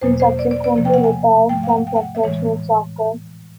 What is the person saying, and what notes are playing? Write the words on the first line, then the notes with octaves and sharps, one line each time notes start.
He subsequently retired from professional soccer.
E2 B2 F#3 A#3 C5
C5
D5
D5
D5
C3 F3 A#3
G5
F#5
G#5
G#2 F3 A3 G5
F5
F#5
G5
F#5
E5
A2 E3 G#3 C#5